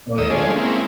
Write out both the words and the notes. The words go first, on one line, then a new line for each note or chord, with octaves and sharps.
Oh, yeah?
D#2 A#3 D#5 D#6 E6
C#4 D4 F4 G#4 A4
G#3 A#3 C4 C#4 E4